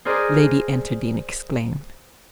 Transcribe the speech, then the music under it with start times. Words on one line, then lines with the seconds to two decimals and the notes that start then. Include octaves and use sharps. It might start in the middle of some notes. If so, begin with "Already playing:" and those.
Lady Enterdean exclaimed.
0.05 G#4 A#4 C5 D5 D#5